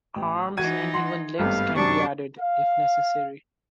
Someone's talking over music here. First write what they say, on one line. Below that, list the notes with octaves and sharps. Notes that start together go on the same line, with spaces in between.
Arms and even legs can be added if necessary.
A1
E3 D#4 F#4 G#6 D#7
F#5 C6
G#1 G2 A3 B3 F5
F#2 C3 D4 C#6
F5